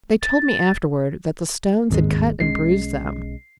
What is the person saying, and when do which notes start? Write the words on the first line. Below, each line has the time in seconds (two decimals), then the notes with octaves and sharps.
They told me afterward that the stones had cut and bruised them.
0.22 A6
1.91 D1 G#1 D#2 G#3
2.40 B1 G#3 C#4 C7